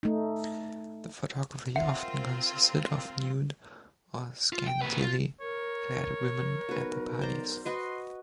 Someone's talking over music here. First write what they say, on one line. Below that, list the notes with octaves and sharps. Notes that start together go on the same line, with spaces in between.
The photography often consisted of nude or scantily clad women at the parties.
A3 D#4
C4 F4 A#4 E5 F#5
F4
G5
A#2 B4
F4
A#4 C#5
B1 F#4 B4
C5 D5 A#5
F#4 B4 D#5 C6